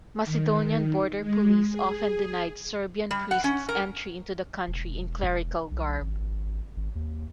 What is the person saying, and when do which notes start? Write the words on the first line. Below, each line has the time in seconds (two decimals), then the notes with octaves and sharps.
Macedonian border police often denied Serbian priests entry into the country in clerical garb.
0.25 D#3
1.19 G#3
1.70 G#4
3.11 G3
3.31 F#5
3.44 C#4
3.69 A#4
4.67 E1
5.71 B1
6.01 G#1
6.77 G#1
6.95 D#2